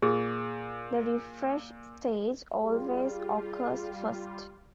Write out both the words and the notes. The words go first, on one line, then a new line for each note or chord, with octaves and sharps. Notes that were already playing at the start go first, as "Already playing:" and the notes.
The refresh stage always occurs first.
A#2 G#4
G3 F4 G#4